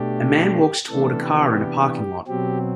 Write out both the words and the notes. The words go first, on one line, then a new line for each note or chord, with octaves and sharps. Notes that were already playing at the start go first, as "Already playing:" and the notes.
A man walks toward a car in a parking lot.
Already playing: B2 A3 D4 G4
C3 E3 A3 B3 D4 A4
G4
B2 F#3 C4 G4